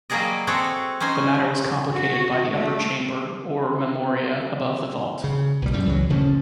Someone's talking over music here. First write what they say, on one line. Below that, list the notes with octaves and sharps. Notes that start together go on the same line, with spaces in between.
The matter was complicated by the upper chamber or memoria above the vault.
F#3 G3 A#3 G#4 D5 D#5
C4 F#4 G#4 A4 C#5
C#4 D#4 C5 G#5
F#4
A3
C#3
B1 A#2 G3
F#2 A2 G3
C#2 E3 F#3
D1 C#3 F3 C#4